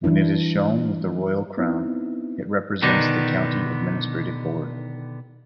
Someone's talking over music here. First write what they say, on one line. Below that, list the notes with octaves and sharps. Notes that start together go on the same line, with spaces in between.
When it is shown with a royal crown, it represents the county administrative board.
E3 G3 D4 E4
B3 C4 D#4 E4
B2 D3 D#3 B3 D4 D#4